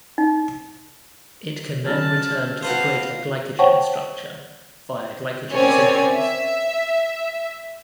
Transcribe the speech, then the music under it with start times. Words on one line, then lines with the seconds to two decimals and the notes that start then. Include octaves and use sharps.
It can then return to the greater glycogen structure via glycogen synthase.
0.18 D#4
1.86 C#3 F#3 A5 F6
2.63 F#4 B4 C5 F5 A5
3.59 C5 C#5 F#5 G5 A5 C#6
5.53 C4 C#4 A#4 C#5 D5 G#5
6.14 E5